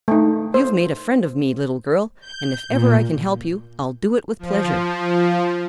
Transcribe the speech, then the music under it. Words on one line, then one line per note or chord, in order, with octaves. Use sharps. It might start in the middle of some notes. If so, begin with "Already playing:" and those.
"You've made a friend of me, little girl, and if ever I can help you I'll do it with pleasure."
A3 D#4
C5
G6
A#2
F3